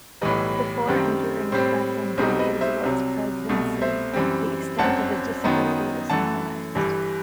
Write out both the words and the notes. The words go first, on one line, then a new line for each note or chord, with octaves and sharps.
Before and during Franklin D. Roosevelt's presidency, the extent of his disability was minimized.
B1 A2 E3 G3 B4 D#5
F#2 D#3 G3 C4
A2 G3 C4 C5
B1 B2 G3 C4 D#4 C5
B4 D#5
C5 E5
C2 C3 F#3
C2 B2 A3
C5 E5
F#2 E3 G3 C4
G1 F#2 F#3 C4 F#5 A5
F#2 D#3 F#3 B3 D#4
F#2 E3 A3 F#5 A5
G1 G2 E3 G3